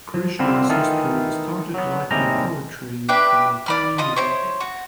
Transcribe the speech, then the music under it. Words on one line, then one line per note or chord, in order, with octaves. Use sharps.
Krishnasastri started writing poetry from a very young age.
F3
C2 D3 C4 F4 B5
D#3 E3 A3 B3 D#4 F4
F#3 B3
D#2 A2 C3 G3 G#3 A#5
D4 G4 B4 E5
D5 B5 F6
F4 D#5 D#6
E4 C5 C#5
F#4